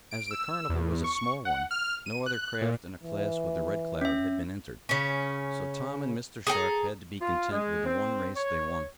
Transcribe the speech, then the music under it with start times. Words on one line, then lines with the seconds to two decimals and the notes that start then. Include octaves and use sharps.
As the carnival was a small one, no other craft in a class with the Red Cloud had been entered, so Tom and Mr. Sharp had to be content with the one race they won.
0.11 D7
0.31 E6
0.69 E2
1.04 C#6
1.45 F#5
1.71 F6
2.06 D#7
2.26 F#6
2.62 A#2
3.03 E3
4.01 C#4 E5
4.89 C#3 C#4
6.47 G#4 A4 G5 A#5
7.21 F4
7.51 G#3
7.85 C4
8.36 C#5